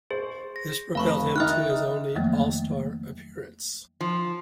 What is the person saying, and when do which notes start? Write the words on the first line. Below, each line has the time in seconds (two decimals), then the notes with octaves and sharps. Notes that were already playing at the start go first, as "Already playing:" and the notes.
This propelled him to his only All-Star appearance.
0.11 G#4 C5
0.56 A#6
0.95 F1 F5 B5 C#6
1.36 D#3 D#4 E5 F6 F#6
2.15 F2 D#3 F3 F#3 A3 A#3
4.01 F3